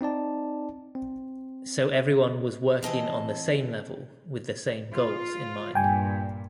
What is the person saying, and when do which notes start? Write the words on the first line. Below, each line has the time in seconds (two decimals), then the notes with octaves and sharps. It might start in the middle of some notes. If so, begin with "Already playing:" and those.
So everyone was working on the same level with the same goals in mind.
0.01 C4 D#4 D5 A5
0.95 C4
2.83 E3 C4 D#5 A5
4.94 F4
5.75 G2 A#2 G5 G#5